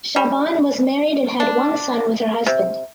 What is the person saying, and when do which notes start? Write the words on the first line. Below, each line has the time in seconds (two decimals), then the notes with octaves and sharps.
Shaaban was married and had one son with her husband.
0.16 G3
1.40 D4
2.46 C3